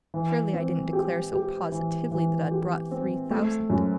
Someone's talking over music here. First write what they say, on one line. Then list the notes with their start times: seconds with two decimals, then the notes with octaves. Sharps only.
"Surely I didn't declare so positively that I'd brought three thousand?"
0.14 E3
0.53 C4
0.93 G4
1.33 G4
1.72 E3
2.11 E3
2.51 G4
2.91 C4
3.30 A3
3.70 F#2